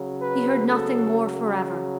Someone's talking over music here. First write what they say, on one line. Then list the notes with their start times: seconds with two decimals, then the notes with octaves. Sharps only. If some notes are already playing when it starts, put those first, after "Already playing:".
He heard nothing more forever.
Already playing: C#3 F#3
0.20 B4
0.66 A4